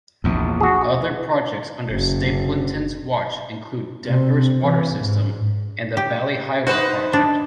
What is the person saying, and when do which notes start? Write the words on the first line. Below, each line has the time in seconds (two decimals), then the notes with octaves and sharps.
Other projects under Stapleton's watch include Denver's water system and the Valley Highway project.
0.24 A#1 E2
0.60 F#4 G#4
1.90 F#1
4.05 C3 C4
4.61 E3
4.97 G#2
5.97 G4
6.67 D#4 F#4 B4 C5
7.13 D4